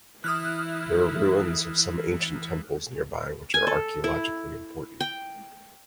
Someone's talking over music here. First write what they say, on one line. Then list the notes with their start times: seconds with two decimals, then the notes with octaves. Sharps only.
There are ruins of some ancient temples nearby which are archaeologically important.
0.24 E3 E4 D#6 F6 F#6
3.54 G#5
3.67 A4
4.04 E4
5.01 G5